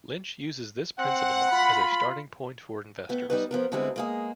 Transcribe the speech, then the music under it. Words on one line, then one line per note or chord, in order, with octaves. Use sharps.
Lynch uses this principle as a starting point for investors.
C4 F#5
F4 B5
A2 B3
G3 D#4 B4
F3 B3 A#4
D3 G3 G#3 C4 E4
G#3 A#3 G#4